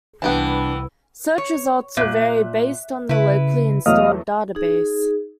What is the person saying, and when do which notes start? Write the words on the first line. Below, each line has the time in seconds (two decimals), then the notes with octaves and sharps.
Search results will vary based on the locally installed database.
0.22 C2 E3 B3 D4 G4 A5
1.38 C#5
1.97 A#2 E5 F#6
3.09 C#3 E4 B4
3.86 E2 F#3 A3 D#5 F5
4.55 D#4 G#4